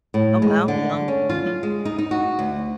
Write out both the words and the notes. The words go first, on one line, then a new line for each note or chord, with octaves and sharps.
Oh, wow. Young. Mhm.
A2
G#3
D3
C#4
F4
G#3
D#4
D#4
F#4
D2